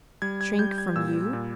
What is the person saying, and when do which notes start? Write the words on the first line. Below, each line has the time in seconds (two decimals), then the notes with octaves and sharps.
"Shrink from YOU?"
0.22 G3 G#6
0.41 G#6
0.59 G3 G6
0.78 G#6
0.96 A#2 E6
1.33 A#2